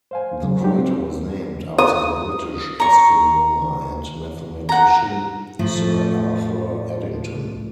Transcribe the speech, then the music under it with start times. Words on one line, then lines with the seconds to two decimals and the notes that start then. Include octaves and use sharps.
The crater was named after the British astronomer and mathematician Sir Arthur Eddington.
0.11 C5 F5 G#5
0.43 C#3 F#3 G#3
0.61 F#3 G3 D4 D#4 G4
0.76 C4
1.78 D#6
2.80 A#5 C#6
4.69 F#5 A#5
5.59 A2 F3 A3